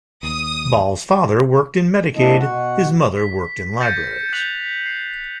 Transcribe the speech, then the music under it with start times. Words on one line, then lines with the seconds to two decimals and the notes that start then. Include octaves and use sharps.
Ball's father worked in Medicaid; his mother worked in libraries.
0.23 D#2 D#6
2.16 G#3 A#3 C4 D4 E4 D#5
2.40 B2 F#4 F#5
3.17 B6
3.80 G6 A6 A#6 C#7 D#7 E7
4.33 F#6 G6 B6 F7 F#7
4.86 C7